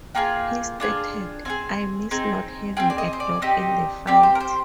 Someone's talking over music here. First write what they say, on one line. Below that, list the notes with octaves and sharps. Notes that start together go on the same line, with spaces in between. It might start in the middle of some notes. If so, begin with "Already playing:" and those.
He stated, I miss not having a dog in the fight.
A#3 F4 G#4 G5
D4 F4 G#4
C4 F4 G#4 G#5
C4 D#4 G#4
C4 F4 G#4 G5
D5
D#5
C5
D5
C4 D#4 G4
C4 G4 D5
C5
A#4
C5